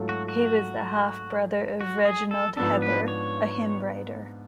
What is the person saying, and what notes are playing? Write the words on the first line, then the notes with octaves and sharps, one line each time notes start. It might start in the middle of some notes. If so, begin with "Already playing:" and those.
He was the half brother of Reginald Heber, a hymn writer.
Already playing: G#2 F#3 A3 F4 A4
F#4
F#4
F#4
G#4
A4
G#2 F3 B3 D4 A4
B4
C#5